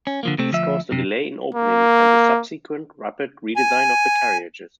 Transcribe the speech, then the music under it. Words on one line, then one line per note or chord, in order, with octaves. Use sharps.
This caused a delay in opening, and a subsequent rapid redesign of the carriages.
C#4
D3 F3 A#3
C3 A3 C4
D2 F3 E5
F#2 C3
A#3
G#5